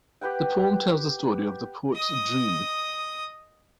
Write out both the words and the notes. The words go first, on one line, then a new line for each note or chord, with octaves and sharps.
The poem tells the story of the poet's dream.
G4 B4 F#5 G5
D#5 D#6